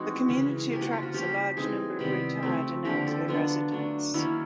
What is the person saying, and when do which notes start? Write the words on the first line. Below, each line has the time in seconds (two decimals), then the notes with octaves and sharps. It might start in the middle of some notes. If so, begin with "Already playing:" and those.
The community attracts a large number of retired and elderly residents.
Already playing: E3 G#3 C4 D#4 F#4
0.28 C#3 E3 G#3 C#4
0.71 F3 A#3 C#4 G4
0.82 F#4
0.93 F4
1.03 F#4
1.14 C#3 F3 A#3 C#4 G4
1.57 E3 G#3 C4 D#4 G#4
1.99 C3 D#3 G3 B3 G4
2.42 C#3 F3 A3 C4
2.85 D3 F3 A#3 G4
3.07 A4
3.28 D3 F#3 B3 D4 F4
3.71 F#3 A3 D4
4.14 D#3 F#3 A#3 C#4 E4